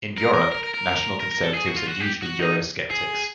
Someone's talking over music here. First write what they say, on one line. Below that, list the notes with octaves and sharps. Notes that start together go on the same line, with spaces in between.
In Europe, national conservatives are usually eurosceptics.
A#4
A#4
A#4
A#4
A#4
A#4
A#4
A4
G#4
F#4
F4
F#4
G4
F#4
D#4
G#4